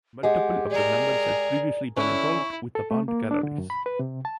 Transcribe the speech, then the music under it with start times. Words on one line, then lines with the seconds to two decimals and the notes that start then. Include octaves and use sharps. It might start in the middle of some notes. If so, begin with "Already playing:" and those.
Multiple of the members had previously been involved with the band Galleries.
0.23 G#3 G4 F#5
0.71 G#4 A#4 D5
1.97 D3 C#4 E4 C#6
2.75 A4
2.91 A3
3.08 A#3
3.31 D4
3.43 D3
3.58 F#2
3.70 B5
3.86 B4
3.99 C3
4.25 A5